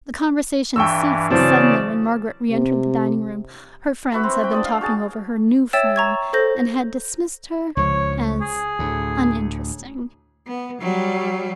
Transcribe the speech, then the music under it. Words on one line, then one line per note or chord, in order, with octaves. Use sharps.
The conversation ceased suddenly when Margaret re-entered the dining-room: her friends had been talking over her new friend, and had dismissed her as uninteresting.
G2 E3 G5 C#6 E6
C#3 E3 F#3 C4 D5 A5
C3
F#4 B4 E5 B5
C4
G5 B5
D4 D5 D#6
F5
F#4 G#4 A5
C#5 E5 G5 E6 A6 E7
A#5 C#6 G#6
A4 C5 G6 A#6
C#2 F3 C#5
G#4
D2 A2
B3
F#3 G3